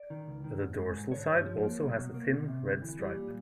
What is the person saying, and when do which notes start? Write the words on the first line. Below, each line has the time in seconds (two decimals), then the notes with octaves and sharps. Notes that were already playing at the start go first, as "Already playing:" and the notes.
The dorsal side also has a thin red stripe.
Already playing: D5
0.10 D#3
0.28 C#2
0.44 D#3
0.61 G#2
0.78 G#3
0.95 G#2
1.12 D3 C#5
1.30 G2
1.46 F3
1.63 A#3
1.80 F#3
1.97 B2
2.14 A#3
2.31 B2
2.48 C3
2.65 D2
2.82 E3
2.99 G3
3.15 A#2